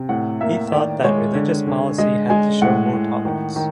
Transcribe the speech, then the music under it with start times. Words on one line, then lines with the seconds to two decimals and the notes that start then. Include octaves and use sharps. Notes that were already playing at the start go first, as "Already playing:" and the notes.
He thought that religious policy had to show more tolerance.
Already playing: C3
0.09 A2 F#5
0.41 A#3 E5
0.72 D#3 D5
1.04 G#3 C#5
1.35 D3
1.67 D3
1.98 G#3 D#5
2.30 G#3 G#5
2.62 A2 F#5
2.93 A2
3.25 D#3
3.56 D#3